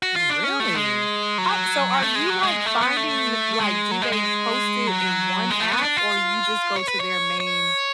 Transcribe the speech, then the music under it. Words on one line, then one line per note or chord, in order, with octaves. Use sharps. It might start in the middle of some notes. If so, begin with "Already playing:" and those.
Really? How so are you, like, finding th like, do they post it in one app? Or, you just go to their main,
F#4
F4
D4
C#4
A3
G#3
F#3
A3
G#3
F#3
G#3
A3
B3
A3
G#3
F#3
G#3
G#3
F#3
G#3
A3
B3
D4
F4
C#5
B4
C#5
C#5